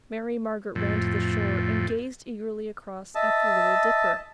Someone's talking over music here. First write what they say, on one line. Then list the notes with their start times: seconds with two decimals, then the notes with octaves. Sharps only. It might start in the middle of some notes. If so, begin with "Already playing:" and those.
Mary Margaret ran to the shore and gazed eagerly across at the Little Dipper.
0.75 F2 A2
3.15 D#5 E5 A5